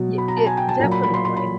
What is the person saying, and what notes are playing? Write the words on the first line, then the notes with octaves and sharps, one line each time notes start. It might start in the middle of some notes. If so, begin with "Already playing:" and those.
Ye it definitely.
Already playing: B2 F#3
B5
A#5
A5
G#5
G5
A5
A#2 F#3 A#5
B5
B5
C6
C6
B5